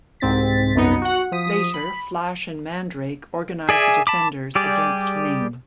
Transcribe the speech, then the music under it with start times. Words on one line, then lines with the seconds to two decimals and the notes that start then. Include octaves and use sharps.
Later, Flash and Mandrake organize the Defenders against Ming.
0.20 C2 G#2 C4 A6 B6
0.75 C2 F#2 B3 D#4 C#7
1.01 F#4 F#5
1.32 F3 D#6 B6
1.74 B5
3.69 G#4 D5 E5 G#5
4.07 A5 B5 D6
4.55 G3 G4 G#4 D5